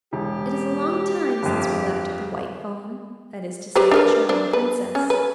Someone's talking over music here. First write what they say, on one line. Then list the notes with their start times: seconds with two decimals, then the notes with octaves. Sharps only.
It is a long time since we left the White Fawn, that is to say the charming Princess.
0.13 E1 G4
1.43 G1 F2
3.75 G4 B4 C5
3.91 D4 A#4 B4
4.29 D4 C5
4.53 B4
4.95 C#4
5.10 B4